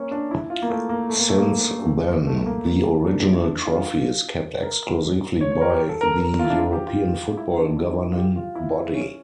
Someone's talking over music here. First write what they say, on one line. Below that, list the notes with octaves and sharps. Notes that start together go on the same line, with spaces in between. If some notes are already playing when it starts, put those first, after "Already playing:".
Since then, the original trophy is kept exclusively by the European football governing body.
Already playing: A#3 C#4
D4
E4
F4
A#3
A3
A#3
A3
A#3
A3
A#3
A3
A#3
A#3
D4
E4
D4
F4
A#4
C#5
C#5
A#4
G4
A4
A#4
A#4
F4
E4
D4
F4
G4
F4
E4
D4
E4
F4
G4
F4
E4
C#4